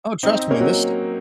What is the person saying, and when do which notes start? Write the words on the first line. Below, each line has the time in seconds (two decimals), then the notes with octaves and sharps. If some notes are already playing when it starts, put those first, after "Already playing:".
Oh, trust me, this
0.23 C4 D#4
0.51 A#3 C#4
0.60 F#3